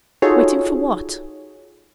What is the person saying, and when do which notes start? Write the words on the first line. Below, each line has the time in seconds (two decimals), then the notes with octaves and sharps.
Waiting for what?
0.22 D#4 F4 F#4 G#4 A4 C#5